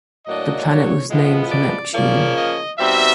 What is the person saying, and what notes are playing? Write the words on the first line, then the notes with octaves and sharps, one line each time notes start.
The planet was named "Neptune".
A2 F#3 A#3 D4 D#5
C#5
A2 F3 G#3 B3
D5
C#3 F3 A#3 C#4 D5
D#5
B2 G3 C4 D#4 E5